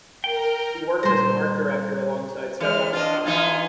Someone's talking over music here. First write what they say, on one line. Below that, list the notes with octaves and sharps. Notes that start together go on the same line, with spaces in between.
He worked as an art director alongside several photographers.
A#4 G5
A#2 G3 A4 C5 A#5
E3 G#3 F6
D4 F4 D#5
E3 D#4 F4 G#5